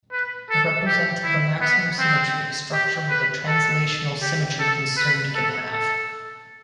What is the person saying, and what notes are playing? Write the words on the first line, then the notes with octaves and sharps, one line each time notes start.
They represent the maximum symmetry a structure with the translational symmetry concerned can have.
B4
A4
G4
E4
B3
C4
G4
B4
A4
G4
A4
B4
A4
A4